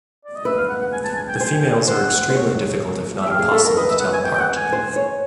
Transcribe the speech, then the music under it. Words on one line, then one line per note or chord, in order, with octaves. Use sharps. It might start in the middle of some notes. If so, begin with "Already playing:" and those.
The females are extremely difficult if not impossible to tell apart.
D5
D#5
B4 E5
F5
F#5
F#5
G#5
A5
G#5
G5
G#5
C5 G5
G#5
G5
C5 F#5
C5
C#5
E5
G4 F5
G#4 F5
A4 E5
A#4
B4 D#5
E5
F#5
G#5
G5
G5
F#5
G#5
C5
C#5